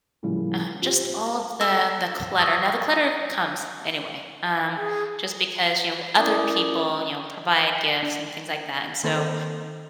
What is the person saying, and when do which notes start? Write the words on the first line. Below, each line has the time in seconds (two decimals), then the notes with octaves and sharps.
um just all of the the clutter, now the clutter comes anyway, um, just because, you know, other people, you know, provide gifts and things like that, and so,
0.23 A2 C#3 E3 F3 G3 A#3
0.82 F4 G4 C5
1.61 A4
2.37 C#6 D#6 E6 A6 A#6
4.76 G#4
6.17 C#4 E4 A#4 D5 D6 D#6
8.03 D4
9.04 D#3 A#3 C4 A4 B4 C5